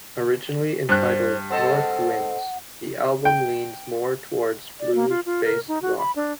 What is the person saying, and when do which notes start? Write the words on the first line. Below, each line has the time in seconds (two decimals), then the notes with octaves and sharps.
Originally entitled "North Winds", the album leans more towards blues-based rock.
0.89 G2 C5 F#6
1.50 C4 A4 D#5 F#5
3.25 G5
4.80 D5
4.95 A#3
5.09 F4
5.26 F4
5.44 A#4
5.68 D#4
5.82 F#4
5.98 B5
6.16 D4